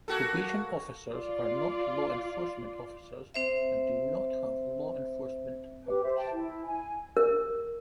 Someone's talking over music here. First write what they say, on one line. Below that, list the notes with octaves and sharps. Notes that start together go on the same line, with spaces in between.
Probation officers are not law enforcement officers and do not have law enforcement powers.
A#3 F#4 A4
F4 D5
C4 C5 E5
G4 B4 D6
C5 E5
G5 A5
E4
G#5
A#4